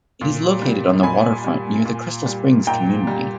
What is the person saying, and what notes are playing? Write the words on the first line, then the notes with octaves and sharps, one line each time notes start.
It is located on the waterfront near the Crystal Springs community.
A#2
G3
A#2 G#5 B5
G3
A#2
G3
A#2 G5 A#5
G3